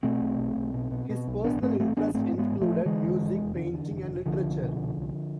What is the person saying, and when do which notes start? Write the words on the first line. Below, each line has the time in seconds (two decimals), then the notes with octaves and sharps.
His personal interests included music, painting and literature.
0.03 B2 A3 C4
0.21 B1
0.39 B1
0.56 B1
0.74 B2
0.91 B2
1.10 B2
1.27 B1
1.44 A1 B3 D4
1.62 G#2 A3 C4
1.80 A1 A3 C4
1.97 A1 B3 D4
2.14 G#2 A3 C4
2.32 G#2
2.38 G#3 B3
2.50 A1
2.61 F3 A3
2.68 A1
2.85 D3 E3 G#3
3.03 F1
3.21 F1
3.38 E2
3.56 D3
3.73 D3
3.91 F1
4.09 F1
4.26 C2 D3 F3
4.44 C2
4.61 B2
4.80 C2
4.97 C2